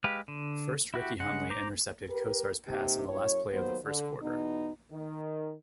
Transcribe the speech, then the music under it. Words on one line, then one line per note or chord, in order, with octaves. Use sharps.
First Ricky Hunley intercepted Kosar's pass on the last play of the first quarter.
G#3 G4 B4 F5
D3
E4 F#4 G4
C#3 G#3 F#5
C5 A#5 D6
G4 A#4 B4
C3 A#3 D#4 G4
F#2 E4 C#5
D#2 F#3 A#3 B3 C5
D3
E2 B2 B3 D#4
D#3